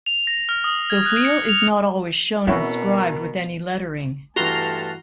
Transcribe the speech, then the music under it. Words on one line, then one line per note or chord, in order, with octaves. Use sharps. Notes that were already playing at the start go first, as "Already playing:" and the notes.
The wheel is not always shown inscribed with any lettering.
F7
A#6
F6
D#6
G#6
F#6
C#7
F7
B2 C4 C#4 E4 F#4 A#4
G2 E3 A3 F#4 A5 A#5 C6 F6